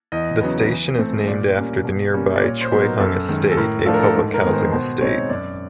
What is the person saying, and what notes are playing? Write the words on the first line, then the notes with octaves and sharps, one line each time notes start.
The station is named after the nearby Choi Hung Estate, a public housing estate.
E2 D#5
C#3 F#3 B3
E3
A3 C4
A#2 D5
G3 A#3 C#4
B2
G3 A#3 C#4
D5
A#2 C#5
C5
F#3 B3 D#4
A#4
F#2 A4
D#3 G#3
A4
A2 A#4
F3 A3 D4 F4 A4
A#4
A4
G#2 A4
A#4
D#3 G#3 B3
C5
B2 C5
G#3 C4 D#4 C#5
F#2 D5